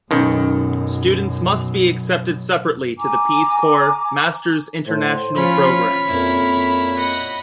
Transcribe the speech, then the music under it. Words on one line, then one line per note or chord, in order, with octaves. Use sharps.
Students must be accepted separately to the Peace Corps' Masters' International Program.
B1 F#2 B2 D#3 C#4 D#4
G#5 A#5 D6
A2 C5
F3 C#4 F4 C#5 B5
F2 A#2 E4 A#4
D#5 F#5